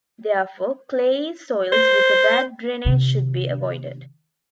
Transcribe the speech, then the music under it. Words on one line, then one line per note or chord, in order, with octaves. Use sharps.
Therefore, clayey soils with a bad drainage should be avoided.
C5
C3 D#3